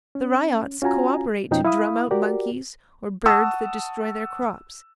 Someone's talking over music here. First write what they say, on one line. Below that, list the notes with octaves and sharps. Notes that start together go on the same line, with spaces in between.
The ryots co-operate to drum out monkeys or birds that destroy their crops.
C#4
C#4 F4 F#4 G#5 A#5
F2 B2 F3 C#4 D#4 G5
E4 F5 B5 D#6
F#4 G4 A#4 D5
F#5 A5 C#6 D#6 E6